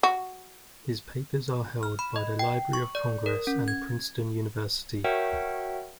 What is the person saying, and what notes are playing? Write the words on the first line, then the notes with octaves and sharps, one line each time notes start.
His papers are held by the Library of Congress and Princeton University.
F#4
F6
B5
D#5
G5
C#6
D5
A#4
C#4
G#6
F#4 A#4 C#5 E5 F#5 G5